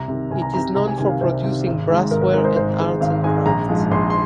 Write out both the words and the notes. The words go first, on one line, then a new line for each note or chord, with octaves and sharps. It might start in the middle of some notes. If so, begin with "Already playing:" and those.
It is known for producing brassware and arts and crafts.
Already playing: C2 A#5
C3 D#3
C2 G#5
A#5
C3 D#3 A#5
C2 A#5
G#5
C3 D#3 G#5
F5
C2 C5
C3 D#3
G#1
G#2 G#3
G#1 A#4
A#4
G#2 G#3 A#4
C5
G#1 C5
G#2 G#3
G#1 F5
G#2 G#3 G#5
A#1 A#5
G#2 F3 G#3
A#1 C6
C6